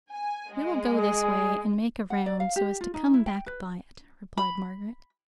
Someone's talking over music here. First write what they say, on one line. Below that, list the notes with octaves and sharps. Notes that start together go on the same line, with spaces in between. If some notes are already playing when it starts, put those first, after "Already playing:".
We will go this way, and make a round so as to come back by it,' replied Margaret.
G#5
G#3
G#4
F#5
D5
F5
G4
F4
D#4
E4
G5
B4
B5